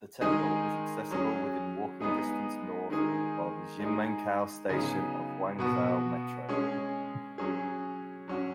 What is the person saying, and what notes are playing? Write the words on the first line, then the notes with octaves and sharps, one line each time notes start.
The temple is accessible within walking distance north of Ximenkou Station of Guangzhou Metro.
D#3 G#3 D#4 G#4
F#3 C#4 G#4
G#3 B3 D#4 G#4
D#3 G#3 D#4 G#4
G#3 D#4 G#4
C#3 F#3 B3 D#4 G#4
B2 B3 F#4
G#3 C#4 G#4
F#3 C#4 G#4
F#3 C#4 F#4